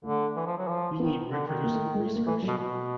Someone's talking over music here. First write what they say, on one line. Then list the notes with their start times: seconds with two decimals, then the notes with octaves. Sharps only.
We need reproducible research.
0.04 D3 A3
0.36 E3
0.47 F3
0.58 F#3
0.68 F3
1.00 D#3 B3
1.32 D3
1.47 D#3
1.64 A#3
1.73 A3
1.94 G#3
2.06 A3
2.16 A#3
2.27 E3 A3
2.42 F#3
2.48 B2
2.58 B2